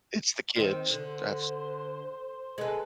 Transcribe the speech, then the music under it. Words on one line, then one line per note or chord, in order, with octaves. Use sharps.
It's the kids. That's
D#3 C4 C5
D3
G#3 A4 B4